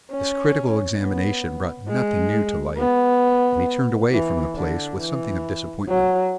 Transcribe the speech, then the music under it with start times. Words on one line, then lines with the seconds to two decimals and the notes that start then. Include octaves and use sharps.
This critical examination brought nothing new to light, and he turned away from the place with something of disappointment.
0.11 C#4
0.99 B3
1.88 G#3
2.77 B3
4.11 E3
4.55 D3
4.99 E3
5.88 F#3